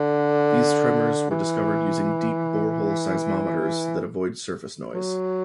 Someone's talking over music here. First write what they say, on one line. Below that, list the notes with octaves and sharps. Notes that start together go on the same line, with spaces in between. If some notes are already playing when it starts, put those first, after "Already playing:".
These tremors were discovered using deep borehole seismometers that avoid surface noise.
Already playing: D3
E3
F#3